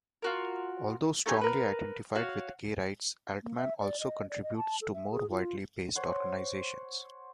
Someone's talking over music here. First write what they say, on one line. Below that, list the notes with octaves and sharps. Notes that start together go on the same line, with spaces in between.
Although strongly identified with gay rights, Altman also contributes to more widely based organisations.
F4 F#4 A#4
A3 D#4 G4 G#5
A#4 B4
F#4 C#5 F5
A#3
E5
D5
D#5
D5
D#5
A5
A4
E5
G#4
F4
C5 C#5 F#5 C6